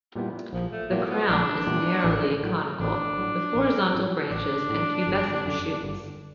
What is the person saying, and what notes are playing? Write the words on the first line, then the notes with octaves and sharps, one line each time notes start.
The crown is narrowly conical with horizontal branches and pubescent shoots.
A#2 G3 B3 E4
A#1 F3
A3
A#2 G3 A#3 B3 E4
B3
A#1 D4
A#2 G3 B3 E4
A1
A2 F#3
A1 D4
A2 F#3
A1
A2 F#3
A1 D4
A2 F#3
G1
F#2 D3
G1